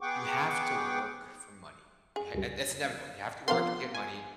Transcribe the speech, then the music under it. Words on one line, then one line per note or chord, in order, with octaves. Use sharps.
you have to work for money. Y ha uh, it's inevitable. You have to work to get money.
B3 G#4 F#5 G5 C#6 D6
G#4
C#2 G2
F3 B3 D4 A#4 F5 C6
G#5